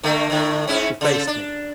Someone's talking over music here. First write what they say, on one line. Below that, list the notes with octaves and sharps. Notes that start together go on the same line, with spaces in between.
She faced me.
D3 A3 A#3
A2 D3
G#2 C#4 E4
C#3 A4
D4